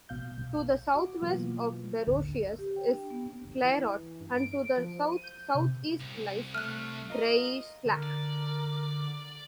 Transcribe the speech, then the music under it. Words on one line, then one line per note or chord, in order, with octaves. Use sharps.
To the southwest of Barocius is Clairaut, and to the south-southeast lies Breislak.
A#1 B2 F5 G6
F#4 D6
B2 E3 F#3 A#3 B3 F4
A1 D#2 D3
G4
G5
D4
B3
E3
G2
D7
F3
D#7
G6
C3
C2
A3 F6 F#6
F4 A#4 D#5
D3 A#4
D5